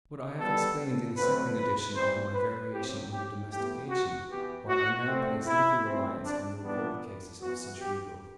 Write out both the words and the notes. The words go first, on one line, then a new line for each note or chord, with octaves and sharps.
But I have explained in the second edition of my Variation under Domestication why I now place little reliance on the recorded cases of such regrowth.
B2 G3 B3 A4
D3 F#3 A3 C4 B4
B4
E3 G3 C4 C5
B4
A2 F#3 C4 G4
G4
A2 E3 B3 G4
F#4
E3 B3 G4
F#4
D3 A3 C4
E4
E3 A3 C4
D4
A2 E3 G3 B3 D4
E3 B3 F#4
G4